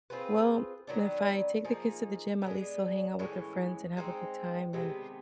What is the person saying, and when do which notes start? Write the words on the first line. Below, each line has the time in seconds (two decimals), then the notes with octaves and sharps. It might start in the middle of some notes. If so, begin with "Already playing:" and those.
"Well, if I take the kids to the gym, at least they'll hang out with their friends, and have a good time, and
0.10 C4 F4 G#4 B4
0.87 D#3 F#3 B3 D4
1.65 F3 A#3 D#4 G#4
2.42 G#3 B3 D4
3.19 A2 E3 G#3 C#4
3.97 G#3 C4 D#4
4.73 C3 D#3 G#3 B3